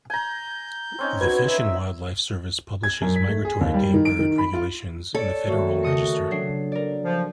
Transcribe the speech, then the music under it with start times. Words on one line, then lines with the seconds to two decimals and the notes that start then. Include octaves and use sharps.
The Fish and Wildlife Service publishes migratory game bird regulations in the Federal Register.
0.10 G#5 A#5 G6
0.99 C4 C#4 D#4
1.21 F#4 B4 G#6
1.48 E5
2.83 G#6
3.02 F#2
3.16 B6
3.28 A3
3.45 G#4
3.61 D#2
3.74 G3
3.94 D#3
4.05 D7
4.19 D#3
4.38 B5
4.54 F4
5.15 A4 C#5 D5
5.47 D#3 A3 A#3 F#4
5.83 C#3 D#6 C#7
6.31 F#3 D4 C7
6.72 A#4 D5
7.04 F3